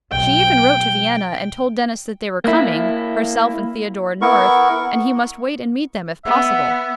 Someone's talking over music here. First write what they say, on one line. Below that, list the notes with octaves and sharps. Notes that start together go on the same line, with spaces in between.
She even wrote to Vienna, and told Denis that they were coming, herself and Theodora North, and he must wait and meet them if possible.
B1 G5
A#3 E4
B3 E4 A#4 C#6
B3 E5